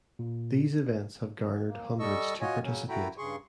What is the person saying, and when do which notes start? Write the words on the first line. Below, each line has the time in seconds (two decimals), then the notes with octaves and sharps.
These events have garnered hundreds to participate.
0.19 A#2
1.67 A#3
1.99 G3 A4 D#5 C#6 E6
2.41 F4 F#4 C#5 D#5 G#5
2.63 C#3 F#3 C#4
2.89 E4 F#4 A4 G5 A#5 B5
3.18 G2 C#3 G#4 C6 C#6